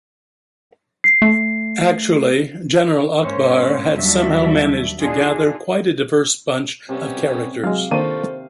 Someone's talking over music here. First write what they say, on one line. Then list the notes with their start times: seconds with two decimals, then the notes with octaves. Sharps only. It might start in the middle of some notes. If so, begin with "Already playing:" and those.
Actually, General Akbar had somehow managed to gather quite a diverse bunch of characters.
1.04 C7
1.22 A3
3.21 G#2 A#3 C#4 C5 C#5
3.95 D#2 F#3 G3 D4 F#4 E5
5.00 D4 D#4 F4 G#4
6.89 C3 G3 B3 C#4
7.63 F#3 G#3 F5
7.91 D#3 A#3 D4 F4 A4 C5 C#6 D#7